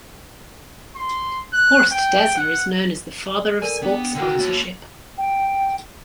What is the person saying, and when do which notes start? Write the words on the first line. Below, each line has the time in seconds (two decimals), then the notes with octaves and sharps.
Horst Dassler is known as the father of sport sponsorship.
0.96 C6
1.53 F#6
1.92 G5
2.37 F#5
3.62 A4 A#4 D5 G#5
3.83 B3 D4 G5
4.15 D3 F#4 A#4 F#5 G5 E6
4.38 A#3 C#5 A6
4.51 F7
5.17 G5